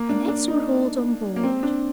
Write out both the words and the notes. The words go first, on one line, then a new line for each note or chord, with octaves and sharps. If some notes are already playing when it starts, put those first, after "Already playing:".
The nets were hauled on board.
Already playing: A#3
D4
D4
D#4
A#3
C4
D4